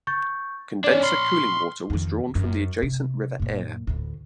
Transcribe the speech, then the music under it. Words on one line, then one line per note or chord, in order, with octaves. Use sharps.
Condenser cooling water was drawn from the adjacent River Aire.
C#6 G6 A6
C#4 D4 C#5 D5
B5 C6 F6 C7
F2 D#3
F#2
C3
F#2 A#2
D2 A2